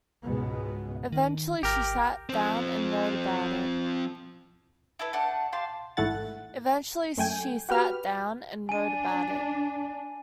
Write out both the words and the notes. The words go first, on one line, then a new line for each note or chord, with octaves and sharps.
Eventually, she sat down and wrote about it.
C#2 G#2 B2 G#3 B3
D#3
G#1 G4 A#4
F3 C4
E4 A4 B4
A3 D4 F#5
G4 F5 A5 C6
A1 G#2 A3 E4 F#5 A6
F#2 A3 G5 G#5
F#4 G4 B4 F6
D4 G#5 D#7